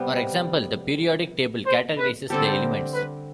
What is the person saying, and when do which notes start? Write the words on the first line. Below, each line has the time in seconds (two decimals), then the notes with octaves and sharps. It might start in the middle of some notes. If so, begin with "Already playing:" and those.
For example, the periodic table categorizes the elements.
Already playing: C3 G3 B3
1.66 C5
1.98 B4
2.30 D3 G3 C4 G4 A4
2.93 B4